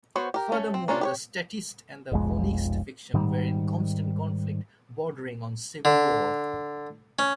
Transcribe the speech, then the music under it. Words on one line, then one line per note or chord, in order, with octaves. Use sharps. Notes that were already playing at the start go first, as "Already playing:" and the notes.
Furthermore, the "Statist" and "Vonckist" factions were in constant conflict, bordering on civil war.
B3 F#4 C5 C#5
G4 A#4
A3 C#4
C4
A#3 C#4 D4 F4
G4 B4 C#5
F1 B1 F2 G#3
G#2 D#3 G3
D3
C#4